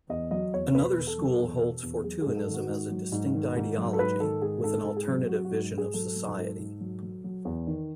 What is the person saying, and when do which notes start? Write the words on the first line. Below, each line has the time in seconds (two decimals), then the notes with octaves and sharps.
Another school holds Fortuynism as a distinct ideology, with an alternative vision of society.
0.09 E2 D#5
0.31 F#3 D#5
0.53 E2 C#5
0.75 B2 B4
0.97 E2
1.07 A4
1.18 F#3
1.39 E2
1.61 B2
1.83 E2
2.04 F#3 G#4
2.21 G#2 G#4
2.37 A4
2.48 D#3
2.54 F#4
2.69 G#2
2.92 F#3
3.12 G#2
3.34 D#3
3.56 G#2
3.78 F#3
3.93 A4
3.99 G#2 B4
4.20 D#3 A4
4.42 G#2 G#4
4.64 G#2 A4
4.85 G#2
4.97 G#4
5.07 F#3
5.28 F#3 F#4
5.45 F#4
5.51 G#2
5.72 G#2
5.78 G#4
5.94 F#3 A4
6.16 F#3
6.37 G#2
6.59 G#2
6.81 F#3
7.03 F#3
7.24 F#3
7.45 E2
7.67 D#3